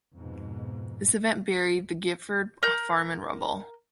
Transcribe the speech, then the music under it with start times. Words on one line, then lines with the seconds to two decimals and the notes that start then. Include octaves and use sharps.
This event buried the Gifford farm in rubble.
0.18 F2 G#2 B2
2.63 A#4 G6